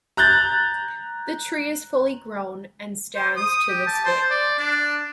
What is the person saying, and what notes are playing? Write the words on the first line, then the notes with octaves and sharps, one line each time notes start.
The tree is fully grown and stands to this day.
A#5 F#6 G6 A6
C5
D#6
G4
A5
C5
D5
D4